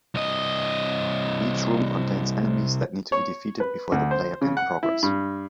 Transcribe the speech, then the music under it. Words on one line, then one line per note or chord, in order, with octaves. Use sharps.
Each room contains enemies that need to be defeated before the player can progress.
C2 D#5
C#5
B4
D2
C5
C#3
F#5
E4
G2